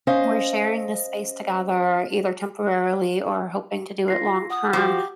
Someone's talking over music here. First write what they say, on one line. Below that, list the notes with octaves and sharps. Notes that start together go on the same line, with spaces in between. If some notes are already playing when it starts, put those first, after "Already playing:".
we're sharing this space together either temporarily or hoping to do it long-term."
C#4 C5 D#5 F5
F4 A#6 C7
F#5 D#6
F3 F#4 G4